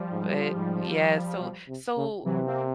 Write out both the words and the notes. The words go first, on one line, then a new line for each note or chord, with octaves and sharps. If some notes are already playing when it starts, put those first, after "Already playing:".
But yeah, so, so,
Already playing: F3 G3
G#2
G#2
B2
C3
C#3
C3 E3 F#3
A#3 C4